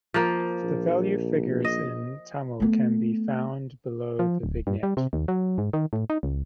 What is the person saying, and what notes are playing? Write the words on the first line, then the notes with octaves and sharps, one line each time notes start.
The value figure in Tamil can be found below the vignette.
F3 A#3
A#1
D#5
A3 B3
F3
D1
G2
G3
C3
D#2
F#3
G#2
D#3
A2
D#4
C#2